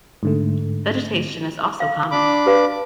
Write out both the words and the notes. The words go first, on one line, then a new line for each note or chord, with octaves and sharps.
Vegetation is also common.
G#2 D3 A3
F5
D4 B5 D6
G4 B4 F5